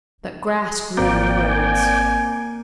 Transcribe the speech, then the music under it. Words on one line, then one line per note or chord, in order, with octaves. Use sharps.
But grass grew in the roads.
G#1 A#3 C4 D5 G5
G#5